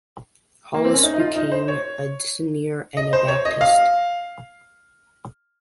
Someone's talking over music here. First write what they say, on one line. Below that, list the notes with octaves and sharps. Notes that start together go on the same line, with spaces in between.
Hollis became an dissenter and Baptist.
A#3
C4
C#4
D#4
D#4
F4
D#4
C5
C#5
D#5
C5
C#5
D#5
F5